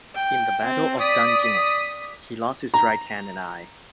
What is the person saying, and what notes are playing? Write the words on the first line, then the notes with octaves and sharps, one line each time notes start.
In the Battle of Dungeness, he lost his right hand and eye.
G5
C4
D5 D#6 B6
A#5